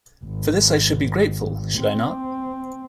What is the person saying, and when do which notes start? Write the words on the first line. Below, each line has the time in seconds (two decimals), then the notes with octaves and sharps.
For this I should be grateful, should I not?
0.25 G#1
1.78 C4